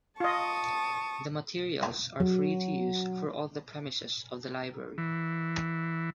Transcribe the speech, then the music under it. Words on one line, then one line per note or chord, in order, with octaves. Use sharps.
The materials are free to use for all at the premises of the library.
F4 D#5 A5 C#6 D#6
F#3
E3